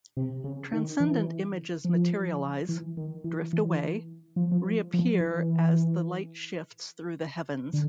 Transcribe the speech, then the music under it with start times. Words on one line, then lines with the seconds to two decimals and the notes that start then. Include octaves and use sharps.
Transcendent images materialize, drift away, reappear as the light shifts through the heavens.
0.17 C3
0.44 C#3
0.73 D#3
1.00 E3
1.85 F3
2.69 E3
2.97 D#3
3.24 E3
3.53 E3
4.36 F3
4.52 F3
4.94 F3
5.21 E3
7.73 D3